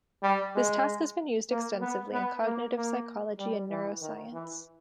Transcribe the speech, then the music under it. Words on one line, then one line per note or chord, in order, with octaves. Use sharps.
This task has been used extensively in cognitive psychology and neuroscience.
G3
G#3
A#3
B3
B3
A#3
A#3
G3
E3
D#3
E3